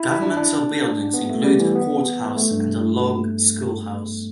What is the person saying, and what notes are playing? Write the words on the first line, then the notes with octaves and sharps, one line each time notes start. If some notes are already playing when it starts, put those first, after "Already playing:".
Governmental buildings included a courthouse and a log schoolhouse.
Already playing: E4
E4
D4
D4
B3
A3
G3
E3
B3
A3
G2